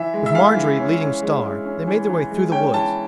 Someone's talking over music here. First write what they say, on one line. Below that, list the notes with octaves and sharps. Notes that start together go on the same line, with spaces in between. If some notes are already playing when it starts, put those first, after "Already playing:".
With Marjorie leading Star, they made their way through the woods.
Already playing: E3 E5
G#3
E5
E3 F5
E3
C#4
C#4
G#3
G#3
C#4
E3
E3
G#3
C#4 G5
E3 A5